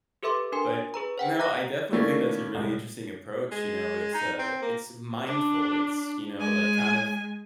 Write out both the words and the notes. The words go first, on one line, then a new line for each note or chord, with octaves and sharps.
But, no, I definitely think that's a really interesting approach, you know, it's, uh, it's mindful, it's, you know, like, kind of
G4 A4 B4 E5 C6 D6
D4 A#4 G#5 C6
G#4 B4 A#5
C5 F#5 G5
A#5 F#6 A#6
D#3 A3 A#3 C#4 D4 E4
C2 G#2
G#3
D#4
C4
A#3
D4
G#3 G#5